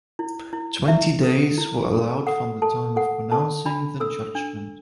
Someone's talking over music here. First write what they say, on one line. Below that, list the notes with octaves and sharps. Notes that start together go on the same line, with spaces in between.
Twenty days were allowed from the time of pronouncing the judgment.
E4
E4
E4 E5
A4
E4
A4
A4 F#5
A4 A5
A4 F#5
A4 A5
D4 B5
A4 E6
D4